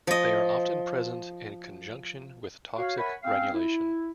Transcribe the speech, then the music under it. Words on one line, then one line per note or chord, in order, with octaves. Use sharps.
They are often present in conjunction with toxic granulation.
F3 D#5
F#4 C#5 F5
A#4 C#5 E5 F#5 G#5 B5
C4 C#4 F5
E4